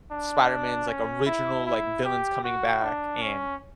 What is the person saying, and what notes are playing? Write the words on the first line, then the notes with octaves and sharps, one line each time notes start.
Spider-Man's, like, original, like, villains coming back and
D4
C#4
E4
E4
G4
F#4
D4
C#4